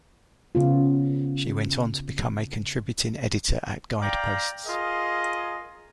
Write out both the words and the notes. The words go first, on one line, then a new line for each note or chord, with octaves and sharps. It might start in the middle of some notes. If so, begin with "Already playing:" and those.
She went on to become a Contributing Editor at "Guideposts".
C#3 B3 F4
D5 F5 G5 A#5
F4 G#4 A#4 D#5